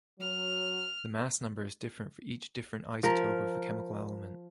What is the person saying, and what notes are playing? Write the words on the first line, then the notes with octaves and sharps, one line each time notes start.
The mass number is different for each different isotope of a chemical element.
F#3 F6
F3 A#4